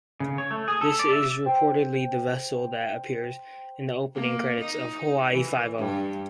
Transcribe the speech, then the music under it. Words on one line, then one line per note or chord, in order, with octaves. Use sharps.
This is reportedly the vessel that appeared in the opening credits of Hawaii Five-O.
C#3
C#5
A3
G#4
A4
D5
E5
C5 G5
A#3
D#4
E3
G2